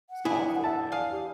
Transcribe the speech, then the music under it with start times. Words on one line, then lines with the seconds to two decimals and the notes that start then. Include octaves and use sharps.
It's awful, man.
0.10 F#5
0.25 E2 D4 E4 F4 G#4
0.64 E5 A5
0.92 G#4 D5 F5
1.11 G4